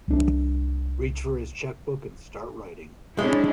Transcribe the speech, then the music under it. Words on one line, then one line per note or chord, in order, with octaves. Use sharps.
Reach for his cheque-book and start writing.
C2 D4
G#3 C#4 D4 E4